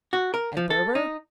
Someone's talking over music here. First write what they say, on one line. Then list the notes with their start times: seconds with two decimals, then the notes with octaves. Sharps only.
At Berber?
0.13 F#4
0.34 A#4
0.57 F3
0.70 A4
0.95 D#4